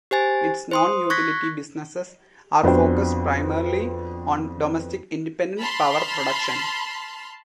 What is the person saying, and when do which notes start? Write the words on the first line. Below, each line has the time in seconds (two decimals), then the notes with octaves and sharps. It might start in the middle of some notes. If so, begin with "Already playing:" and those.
Its non-utility businesses are focused primarily on domestic independent power production.
0.11 G4 C5 G#5 A6
0.71 C5 C6 D#6
1.10 C#6 F#6 G#6 A#6 B6
2.63 F2 B3 D4 F#4 C5 G5
5.60 A5 B5 C6 F6